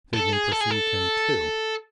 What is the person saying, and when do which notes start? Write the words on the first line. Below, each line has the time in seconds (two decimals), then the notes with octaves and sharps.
Sydney perceived him too.
0.14 A4
0.33 G#4
0.52 A4
0.61 G#4
0.71 A4